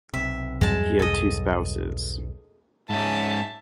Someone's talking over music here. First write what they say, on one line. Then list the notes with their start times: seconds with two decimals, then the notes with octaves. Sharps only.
He had two spouses.
0.14 B1 C3 E5
0.61 E2 G2 F#3 G#3 A5
0.99 B1 A4 D#5
2.90 G#2 C#4 E5 A5